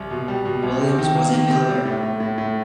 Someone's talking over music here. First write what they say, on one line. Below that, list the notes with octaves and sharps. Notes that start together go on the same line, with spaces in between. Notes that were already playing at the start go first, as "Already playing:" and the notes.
Williams was a miller.
Already playing: C2
B2
G3
B2
C2
C3
D#3
A#3
D#3
C3
G3
A2
A2
A2
A2